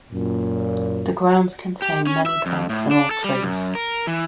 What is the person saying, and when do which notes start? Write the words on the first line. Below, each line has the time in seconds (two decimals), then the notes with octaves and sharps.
The grounds contain many plants and old trees.
0.12 F#2 A#2
1.82 G4
2.07 C#4
2.26 E5
2.46 F2
2.70 A2
2.91 D4
3.11 A4
3.24 G3
3.43 F#2
3.75 A#4
4.07 E3